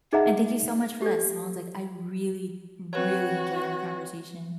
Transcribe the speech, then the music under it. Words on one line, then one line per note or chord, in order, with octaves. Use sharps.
And thank you so much for that songs, like, I really, really enjoyed our conversation.
D#4 G#4 D#5 E5 F#5 A#5
G4 A4 D5
C4 F#4 B4 C#5